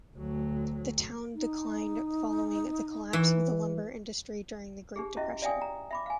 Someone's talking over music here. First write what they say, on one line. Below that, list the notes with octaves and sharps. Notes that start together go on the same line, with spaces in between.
The town declined following the collapse of the lumber industry during the Great Depression.
D2 F#3
D#4
E3
D4 G4 G#4
C#4 E4 F#4 D#5 E5
D5 E5 F5 G5 G#5 D#6
A#5
E5 B5 D6
F5 G#5